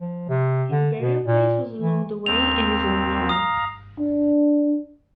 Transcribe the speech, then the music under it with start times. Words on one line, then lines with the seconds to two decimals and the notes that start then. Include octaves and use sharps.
His burial place was along the way and is unknown.
0.01 F3
0.29 C3
0.71 D3
1.00 B2
1.25 A#2
1.80 E3
2.26 D#2 C4 F7
3.29 F5 A#5 D#6
3.99 D4